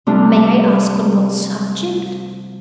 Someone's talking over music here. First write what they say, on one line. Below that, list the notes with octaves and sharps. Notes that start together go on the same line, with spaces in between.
"May I ask on what subject?"
C3 F3 G3 A3 D4